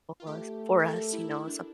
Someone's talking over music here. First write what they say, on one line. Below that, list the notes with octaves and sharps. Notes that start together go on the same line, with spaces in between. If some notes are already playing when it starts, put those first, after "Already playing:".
us for us, you know, as some
F4
A3 G4
A#4
A4
G4
E4
E4
D4